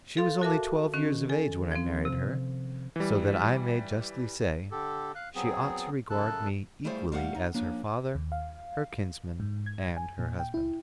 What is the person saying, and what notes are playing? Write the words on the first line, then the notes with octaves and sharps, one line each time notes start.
She was only twelve years of age when I married her, so that I may justly say, she ought to regard me equally as her father, her kinsman, and her husband.
A4 F5 C6 A6
F#4 A4 A#4 E5 A5 D6
D#3 C#4
A4 G#5
F3 C4
C3
E3 G3
D3 G4 A4
F5 F#6
F#3 B3 C4 G#4
F#2 C#3 A4 A5 F#6
G3 A3 E4 F4 G#4 C5
G3 A3 F5 F#5
D#4
F3 A#3 C#4 D4
D#2
F5
G#2
G#6
G#5
A#2
G5
E4